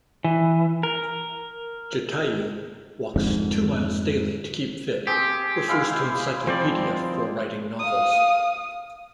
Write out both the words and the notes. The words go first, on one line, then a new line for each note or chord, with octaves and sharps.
Jatayu walks two miles daily to keep fit, refers to encyclopaedia for writing novels.
E3
A#4
F2 G#2 D3
C4 G4 G#4
G#3 E4 F5
F3 C4 C5 D5
F5 D#6